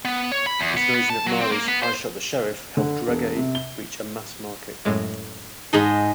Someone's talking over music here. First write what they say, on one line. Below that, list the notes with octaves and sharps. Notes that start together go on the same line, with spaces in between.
His version of Marley's "I Shot the Sheriff" helped reggae reach a mass market.
B3
C#5
B5
E2
B3
B3
A5
F#3
C4
A#3
B3
C5
D3
E1
C3
G7
F#2 A2 G#3
G#2 D#4 G#4 D#5 A5